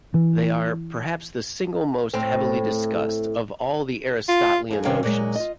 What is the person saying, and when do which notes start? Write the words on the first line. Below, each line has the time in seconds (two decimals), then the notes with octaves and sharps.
They are "perhaps the single most heavily discussed of all Aristotelian notions".
0.14 E3
2.14 A2 C4
4.29 F4
4.71 F2 G#4
4.85 C3 D#3 C#4 F5 G5
5.03 A#2 F#3 G#3
5.35 F4 D#5